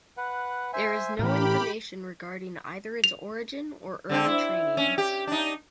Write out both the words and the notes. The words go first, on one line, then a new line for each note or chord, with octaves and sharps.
There is no information regarding either its origin or early training.
B4 F#5
C5 E5 G#5
A2 E3 G4 A#4 B5
F7
D3 C4 D4
E4
C#4
G4
D4 D#4